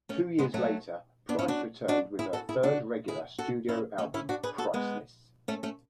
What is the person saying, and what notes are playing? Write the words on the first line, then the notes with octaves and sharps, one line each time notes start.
Two years later, Price returned with her third regular studio album, "Priceless".
A3 C#4
G#3 B3
F#3 A3
B3 D4
C#4 E4
D4 F#4
D4 F#4
E4 G#4
F#4 A4
E4 G#4
D4 F#4
E4 G#4
F#4 A4
C#4 E4
A3 C#4
C#4 E4
D4 F#4
G#4 B4
F#4 A4
G#3 B3
A3 C#4
A3 C#4